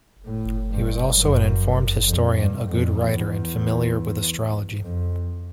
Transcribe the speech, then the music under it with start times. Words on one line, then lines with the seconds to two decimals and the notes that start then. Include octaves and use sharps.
He was also an informed historian, a good writer and familiar with astrology.
0.25 A2
0.71 G2
1.16 F#2
2.07 F2
2.38 G2
2.68 F2
2.98 E2
4.82 F2